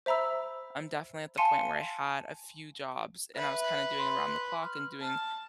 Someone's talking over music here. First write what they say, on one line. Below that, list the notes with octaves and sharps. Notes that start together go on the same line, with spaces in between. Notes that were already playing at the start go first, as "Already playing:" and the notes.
I'm definitely at the point where I had a few jobs and I was kinda doing around the clock and doing
C5 E5 A#5 B5 E6
F5 G#5 A5 C6 C#7 D#7
B4 E5
C6
F6
A5